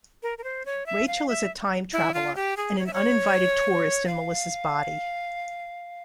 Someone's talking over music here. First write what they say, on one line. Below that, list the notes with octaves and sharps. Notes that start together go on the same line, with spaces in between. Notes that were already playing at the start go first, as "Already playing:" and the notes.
Rachael is a time traveler - and an uninvited tourist in Melissa's body.
A#4
A#4
C5
C#5
E5
F5
E5
E4
F4
G4
G#4
C#5
E5
C#5
F5